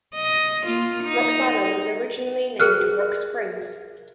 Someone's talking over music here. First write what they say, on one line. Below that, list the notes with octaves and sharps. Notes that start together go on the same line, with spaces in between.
Roxana was originally named Rock Springs.
D#5
A#3 F4
D#4
G#4 A#4 F6 F#6